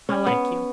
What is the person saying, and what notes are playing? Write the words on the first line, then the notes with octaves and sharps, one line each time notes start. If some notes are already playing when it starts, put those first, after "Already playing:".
I like you.
C#4
B3